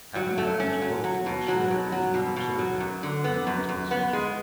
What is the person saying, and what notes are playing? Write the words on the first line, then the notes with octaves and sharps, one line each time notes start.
Adam Adams looked to make sure that he was not observed, and then went to the safe.
F#3
A3
C#4
F#3
F#3
B2
F#3
B2
F#3
B2
B2
F#3
F#2
D3
B3
F#2
F#2
B3
G#3